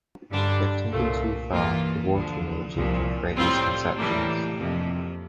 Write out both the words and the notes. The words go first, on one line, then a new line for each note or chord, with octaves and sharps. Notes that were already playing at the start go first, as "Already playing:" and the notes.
If taken too far, the water analogy can create misconceptions.
G2 D3 G3 D4
C2 A#2 A3
G2 E3 A#3 F4
D2 D3 F3
C2 A#2 F3
A2 G3 C4 F4
A2 E3 G3 A#3 D4
F2 C3 F3 A#3